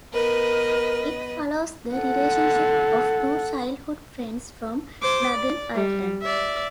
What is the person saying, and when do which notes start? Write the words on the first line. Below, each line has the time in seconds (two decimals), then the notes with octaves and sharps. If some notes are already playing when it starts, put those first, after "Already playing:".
It follows the relationship of two childhood friends from Northern Ireland.
0.13 B3 A#4 B4 D#5
1.95 A4 F#5
5.02 C5 D6
5.35 D5
5.75 G3
6.22 D5 E5